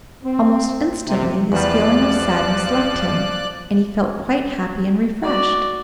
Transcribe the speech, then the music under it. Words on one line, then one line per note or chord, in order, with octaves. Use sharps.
Almost instantly his feeling of sadness left him, and he felt quite happy and refreshed.
C4
C3
E2 F3 G3 D5 F#6
F#4 D5